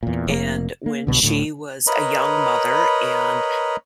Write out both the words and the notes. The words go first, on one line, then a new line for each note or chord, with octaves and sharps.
and when she was a young mother, and
E2 A#2
F1 D3 A#3
A#3
C2 G2 B2 D3
D1 D2 A2
A#4 B4 C#5 D#5 A#5 B5